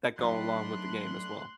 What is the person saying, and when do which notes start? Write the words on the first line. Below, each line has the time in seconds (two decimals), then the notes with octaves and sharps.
that go along with the game as well.
0.19 F#3 A3 D4 D#4 B4 C6 F#6